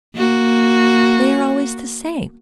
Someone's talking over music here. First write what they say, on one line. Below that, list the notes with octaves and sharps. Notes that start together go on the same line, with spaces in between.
"They are always the same."
A#3 F#4